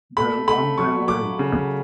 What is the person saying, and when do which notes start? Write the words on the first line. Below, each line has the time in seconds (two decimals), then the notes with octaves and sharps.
They're on their way.
0.17 A3 B5
0.48 A3 B5
0.78 F#3 C#6
1.08 F#3 D6
1.39 C#3